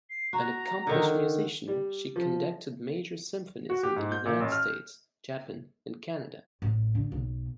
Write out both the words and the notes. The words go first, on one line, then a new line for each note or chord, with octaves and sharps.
An accomplished musician, she conducted major symphonies in the United States, Japan, and Canada.
C7
F#4 A#5
D3 D#3
G3
F3
F#4
G4
G#2
G6
A#2
A1
F6
A1
D3
B1